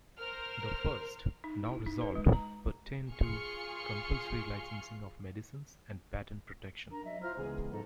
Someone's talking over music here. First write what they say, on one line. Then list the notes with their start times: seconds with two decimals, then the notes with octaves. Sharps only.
The first, now resolved, pertained to compulsory licensing of medicines and patent protection.
0.17 A#4 C5 F6
1.44 D#4
1.66 E4
1.87 D#4
2.01 B4
2.15 G#3
2.33 A#5
3.12 F4 G#4 C6 C#6 F6 C#7
6.90 D4 A#4 A#5
7.03 F#3 D#5 E5
7.21 E4 F4 C5 A#5 F6
7.37 C#2 E3 G#3 B3 G#4
7.71 G#2 F3 B3 A4 A#5